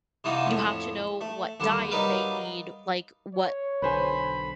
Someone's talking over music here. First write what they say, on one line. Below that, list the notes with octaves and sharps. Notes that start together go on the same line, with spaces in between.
you have to know what diet they need, like, what
C3 E3 D#4 F4 F#4
F2 A2
A3
D#2 D3 G3
F#3 G3 D#4 A#4 B4 F5
C#5
B1 D3 B4 C5 G#5 B5